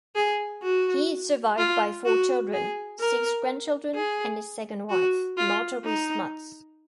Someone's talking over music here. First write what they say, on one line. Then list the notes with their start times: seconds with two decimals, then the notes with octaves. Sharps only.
He is survived by four children, six grandchildren, and his second wife, Marjorie Smuts.
0.15 G#4
0.63 F#4
1.58 F4
2.05 F#4
2.53 G#4
3.00 A#4
3.94 G#4
4.90 F#4
5.37 F4
5.84 D#4